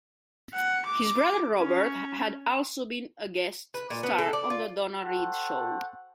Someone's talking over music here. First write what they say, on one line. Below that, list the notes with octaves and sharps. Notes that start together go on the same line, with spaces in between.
His brother Robert had also been a guest star on "The Donna Reed Show".
F#5
D6
C#4
B4
A#2
B3
A4
D5
F4
F#4 A4 C5 F#5 G5 A5